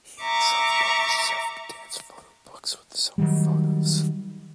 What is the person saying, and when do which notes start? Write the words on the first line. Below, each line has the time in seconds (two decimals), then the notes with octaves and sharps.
He himself published several dance photo books with his own photos.
0.23 E5 A#5 C#6 D6
3.18 D#3 F#3 G3